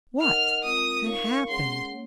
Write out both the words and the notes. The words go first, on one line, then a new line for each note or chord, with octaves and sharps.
What had happened?
D#4 A#4 D#5 F#5 F6
G#3 C4 F4 A#4 D#6
D#4 A#4 C#5 F5 C#6
G#3 C#4 G#4 C#5 F#5 C6
A#3